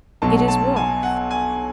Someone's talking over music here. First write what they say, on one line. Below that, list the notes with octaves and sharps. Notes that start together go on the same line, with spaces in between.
It is warmth.
B1 B2 F#3 A5
A5
G#5
F#5
G#5